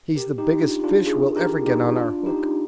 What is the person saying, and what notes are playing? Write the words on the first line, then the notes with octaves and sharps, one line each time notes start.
"He's the biggest fish we'll ever get on our hook."
G4 A#4
D#4 G4
D4 F4
D4 F4
F4 G#4
G4 A#4
D#4 G4
D4 F4
D#4 G4